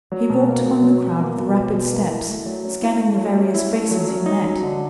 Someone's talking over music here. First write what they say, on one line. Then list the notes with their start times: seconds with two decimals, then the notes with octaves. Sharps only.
He walked among the crowd with rapid steps, scanning the various faces he met.
0.12 F#3
0.30 B2
0.47 A#3
0.66 B2
0.83 F#3
1.01 B2
1.19 A#3
1.37 B2
1.56 F#3
1.73 B2
1.92 A#3
2.10 E4
2.28 A3
2.46 F#3
2.64 C#4
2.82 E4
3.00 A3
3.18 F#3
3.37 C#4
3.54 E4
3.72 A3
3.91 F#3
4.08 C#4
4.26 D#4
4.44 F#3
4.62 D3